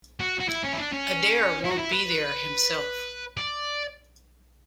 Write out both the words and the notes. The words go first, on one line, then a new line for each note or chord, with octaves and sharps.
Adair won't be there himself.
F#4
F#4
E4
C#4
E4
D4
C#4
E4
F#4
E4
B4
D5